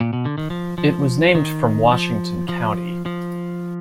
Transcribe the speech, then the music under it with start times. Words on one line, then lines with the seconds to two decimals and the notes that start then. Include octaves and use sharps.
It was named from Washington County.
0.01 A#2
0.13 B2
0.25 D3
0.38 D#3
0.50 F3
0.78 F3
1.35 D#3
1.92 F3
2.49 F3
3.06 F3